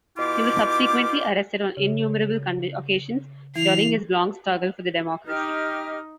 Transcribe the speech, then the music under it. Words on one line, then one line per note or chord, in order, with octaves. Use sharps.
He was subsequently arrested on innumerable occasions during his long struggle for the democracy.
B2 E4 F4 G4 D6
C#3
E3 E4 C7 F7
D#4 G4 D#5 F6